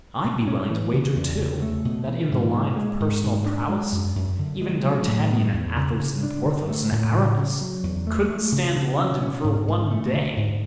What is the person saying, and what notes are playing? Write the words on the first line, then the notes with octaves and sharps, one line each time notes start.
"I'd be willing to wager too that, in the line of personal prowess, even D'Artagnan and Athos and Porthos and Aramis couldn't stand London for one day."
B2
C#4
E3
C#3
E2
C#3
A3
B2
E3
G#2
G#3
G#3
G#2
G#2
D4
G#3
F#2
F#2
D3
G#3
F#3
A2
B3
E2
C#3
C#3
D4
D3
A3
A2
C#3
C#3
F#3
E2
A3
A3
C#3
C#3
C#4
C#4
G#2
G#2
A3
D3
G#2